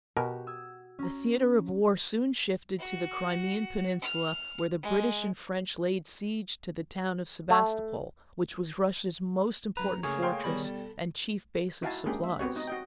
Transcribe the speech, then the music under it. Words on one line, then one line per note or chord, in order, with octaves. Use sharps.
The theater of war soon shifted to the Crimean Peninsula where the British and French laid siege to the town of Sebastopol which was Russia's most important fortress and chief base of supplies.
B2 F#4 G4 A#4 G#5
D#6 E6 G#6
C#4 A#5
F#4
F6
G#3
A3
F#2 F#3 B4 A#5
C#3 A3 A#3 G#4 C#5
F5 G5 C6
B2 D#3 G3 A#4 B5
A4
D#4 E4 F#4 F5 G#5 A5
G#3 A#3 C#4 D4 G4 G#4
E5
B3 C4 F#4 G4 C#5
D#4 D#5
F#4 D#5 G5